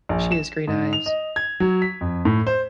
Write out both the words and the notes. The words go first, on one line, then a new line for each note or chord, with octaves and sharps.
She has green eyes.
A#1
E7
G#2
F7
D#5
G#6
F#3
B6
F2
A2
C5